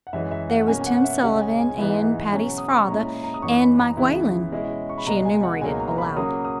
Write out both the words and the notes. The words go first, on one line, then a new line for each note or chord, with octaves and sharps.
"There was Tim Sullivan and Patty's father and Mike Whalen," she enumerated aloud.
F#5
F#2 E3 G#3 E5
E5
F#5
B2 A#3 C#4 G#5
G#5
F#5
E5
C#2 C#3 G#3 C#4 F#5
G#5
G#5
G#2 E3 G#3 B3 E4
B2 F#3 C#4 G#5
D#6
C#6
A#2 G#3 C#4 E4 A#5
A#5
A#5
D#6
F#2 E3 B3 D#4 C#6
B5
A#5
C#2 C#3 E3 B3 E4
B2 G#3 C#4 E4
C#6
B5
C#2 B2 G#3 A#5
G#5
F#5
C#2 B2 F#3 A#3 D#4 G#5
A#5
B5
C#3 F#3 A#3 D#6
D#6